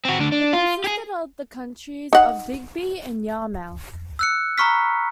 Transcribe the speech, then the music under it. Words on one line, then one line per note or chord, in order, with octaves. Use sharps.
It consisted of the counties of Digby and Yarmouth.
C4 F#4
D2 D4
D4
F4
G4 G#4
D#4 F#5
E6 F#6 C#7
A#5 B5 C#6 F6 B6